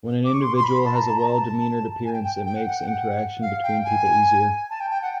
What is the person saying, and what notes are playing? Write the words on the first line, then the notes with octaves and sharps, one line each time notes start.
When an individual has a well demeanored appearance it makes interaction between people easier.
D6
C#6
C6
C6
B5
A5
A#5
A5
A#5
A5
G#5
G5
G5
G5
F#5
F#5
G5
F#5
F5
G5
G#5
A5
G5
G5
F#5